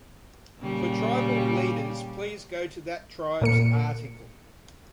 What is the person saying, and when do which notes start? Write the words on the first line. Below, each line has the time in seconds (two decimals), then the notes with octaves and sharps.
For tribal leaders, please go to that tribe's article.
0.59 A#2 C#3 G3
3.41 A#2 A#3 C#7